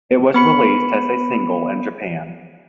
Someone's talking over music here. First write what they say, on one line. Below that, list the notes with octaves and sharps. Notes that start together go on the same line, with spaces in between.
It was released as a single in Japan.
B3 B5 C#7